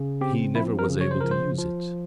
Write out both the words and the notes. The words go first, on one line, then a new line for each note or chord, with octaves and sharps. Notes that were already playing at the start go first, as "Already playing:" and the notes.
He never was able to use it.
Already playing: C#3
C4 G4
F3 E4
A#4
C#3
C#5
C5
F3 A#4
C5
F3